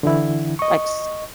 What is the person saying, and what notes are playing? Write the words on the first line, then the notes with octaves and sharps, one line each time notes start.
like, s
D3 E3 E4
D#5 C#6